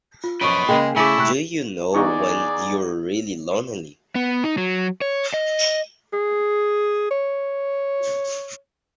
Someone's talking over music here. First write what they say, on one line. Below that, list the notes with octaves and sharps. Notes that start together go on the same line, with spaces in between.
Do you know when you're really lonely?
F4
F#2 F3 B4 D#5 C#6 D7
C#3 G#3 A#3 G#4 G5
C#3 A3 E4 G#4 G#5 D6
C3 C#6 F#6
E2 D#4 G#4 D5 C#6
B3
D#4
F#3
C#5
D#5
G#4
C#5